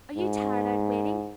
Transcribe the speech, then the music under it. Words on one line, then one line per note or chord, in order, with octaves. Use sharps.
Are you tired out waiting?
G#2